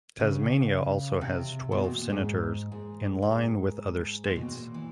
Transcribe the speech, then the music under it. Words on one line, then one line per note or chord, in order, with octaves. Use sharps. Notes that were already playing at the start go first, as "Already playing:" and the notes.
Tasmania also has twelve Senators in line with other states.
C#3
C3
B2
A#2
G#2
G#2
G#2
A#2
B2
A#2
E3